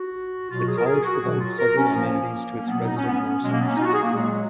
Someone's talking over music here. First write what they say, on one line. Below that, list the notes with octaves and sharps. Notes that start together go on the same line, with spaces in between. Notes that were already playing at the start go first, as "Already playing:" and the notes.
The college provides several amenities to its resident Morsels.
Already playing: F#4
B2 F#3 F4
F#4
G#4
A#4
G#4
F#4
B2 F#3 F#4
F4
A#4
C#4
A#2 F3 A#3
C#4
B2 F#3 B3
D#4
C#4
B3
C#4
B2 F#3 G#3
A#3
B3
C#4
D#4 F4
F#4
G#4
A#3
A#2 F#3 G#3